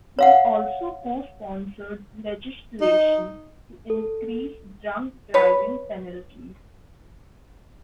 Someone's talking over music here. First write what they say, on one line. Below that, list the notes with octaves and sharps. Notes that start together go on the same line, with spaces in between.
He also co-sponsored legislation to increase drunk driving penalties.
C#5 F5 F#5
D#4
A4
B4 C#5